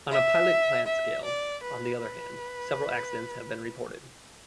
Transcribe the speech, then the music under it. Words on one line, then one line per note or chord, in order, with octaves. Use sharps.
On a pilot plant scale, on the other hand, several accidents have been reported.
E5
E5
D5
B4
B4